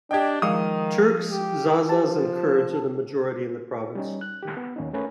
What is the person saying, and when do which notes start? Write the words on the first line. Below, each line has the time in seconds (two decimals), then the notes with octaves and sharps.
Turks, Zazas and Kurds are the majority in the province.
0.11 D4 G4 D#5 G5 G#6
0.42 D#3 F3 G#3 F5 D#6
1.31 G4
1.89 F3 G4 A5
3.95 G3 C#4 D#4
4.21 F#6
4.43 D#3 G4
4.57 B3
4.76 D#2 C#4 D#4
4.93 A3 C#4 A#4 B4